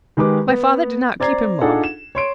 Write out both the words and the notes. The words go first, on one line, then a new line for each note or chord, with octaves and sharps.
My father did not keep him long.
D#3 G#3 G4 B4 D6
B3
C4 D5 A#5 G#6 C7
D4 D#4 F4 G#4 A4 F#5
E7
C#5 C6 D7